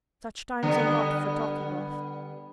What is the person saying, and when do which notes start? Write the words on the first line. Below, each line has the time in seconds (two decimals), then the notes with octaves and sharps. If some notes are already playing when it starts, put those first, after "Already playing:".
Such times are not for talking of.
0.63 D3 G3 B3